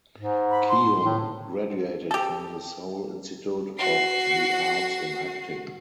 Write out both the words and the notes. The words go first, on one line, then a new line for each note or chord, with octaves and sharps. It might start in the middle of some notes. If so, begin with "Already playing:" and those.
Keum graduated from the Seoul Institute of the Arts in acting.
G#2
B5
C6
A2
G4 A4
F#4 C7